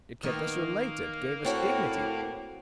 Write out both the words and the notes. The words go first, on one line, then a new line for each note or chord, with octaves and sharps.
It kept us related--gave us dignity....
D#3 A#3 B3 A#4
A2 C4 F#4 C#5 F#5